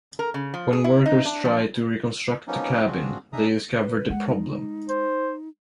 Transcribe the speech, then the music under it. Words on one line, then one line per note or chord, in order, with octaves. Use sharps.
When workers tried to reconstruct the cabin, they discovered the problem.
A#4
C#3
F3
G#4
E4
D#4
D4
F3
F3 F#3 A#3 B3 C#4 D#4
C4 D4 F4 F#4 G#4
D4 D#4 G#4 E5 A#5 D#6
B4
G#3 F#5
D#4
C5